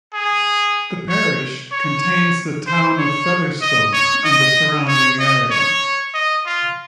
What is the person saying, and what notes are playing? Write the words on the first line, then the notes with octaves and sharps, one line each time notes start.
The parish contains the town of Featherstone and the surrounding area.
G#4
C#5
C#5
C5
C#5
D#5
C#5
D#5
C#5
D#5
C#5
D#5
F4